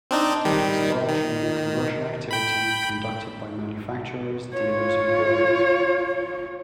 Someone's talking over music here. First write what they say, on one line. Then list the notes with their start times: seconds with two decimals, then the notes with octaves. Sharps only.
It was largely a commercial activity conducted by manufacturers, dealers, and brokers.
0.11 C4 D4 D#4
0.45 D#3 G3
1.08 D#3
2.31 G5 B5
4.54 F4 C#5